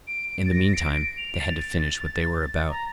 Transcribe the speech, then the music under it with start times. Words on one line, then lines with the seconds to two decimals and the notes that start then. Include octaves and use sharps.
In the meantime they had to finish what they were about.
0.07 D7
0.29 D7
0.46 A6
0.51 A#6
0.74 D7
0.96 D7
1.17 F7
1.39 A6
2.70 A#5